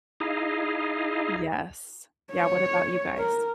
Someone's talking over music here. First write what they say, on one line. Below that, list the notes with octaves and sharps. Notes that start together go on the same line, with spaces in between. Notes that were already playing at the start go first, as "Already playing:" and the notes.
Yes. Yeah. What about you guys?
D#4 E4 G#4 D#5 F5
C#5
A#4